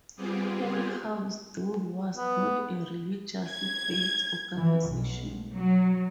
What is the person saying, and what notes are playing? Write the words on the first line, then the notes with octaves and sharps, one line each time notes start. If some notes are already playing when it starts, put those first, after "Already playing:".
Hull House, though, was not a religious based organization.
G3 B3 C4 F4 G4 G#4
B3
G#6
E3
B1
F#3